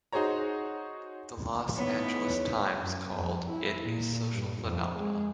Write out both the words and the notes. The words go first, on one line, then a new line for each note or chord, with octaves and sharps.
The "Los Angeles Times" called it a "social phenomenon".
D#4 F#4 G#4 C5 C#5 A#5
E3 B3 D#4 C#5
F#2
F2
E4
A#2
G2
F2
G#3